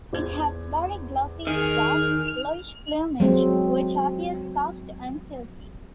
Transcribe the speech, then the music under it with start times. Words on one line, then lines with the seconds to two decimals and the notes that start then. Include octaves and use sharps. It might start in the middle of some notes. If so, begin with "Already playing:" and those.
It has very glossy dark, bluish plumage, which appears soft and silky.
0.13 E2 C5 G#6
1.47 D#3 G#4 F6
3.20 F#3 G#3 C4